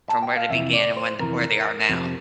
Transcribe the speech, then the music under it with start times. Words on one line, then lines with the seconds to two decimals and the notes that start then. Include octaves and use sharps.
from where they began and when where they are now.
0.09 A5
0.23 G5
0.36 F5
0.50 F2 C3 E3 E5
0.73 D5
0.97 C5
1.20 F2 C3 E3 A#4
1.89 F2 C3 F3